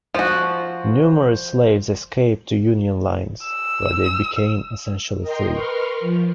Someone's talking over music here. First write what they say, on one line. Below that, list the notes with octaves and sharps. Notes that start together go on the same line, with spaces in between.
Numerous slaves escaped to Union lines, where they became essentially free.
F3 F#4 C5
E6
A#4 D#5 G5 C6
A#4 B4 C6 C#6 F6
F3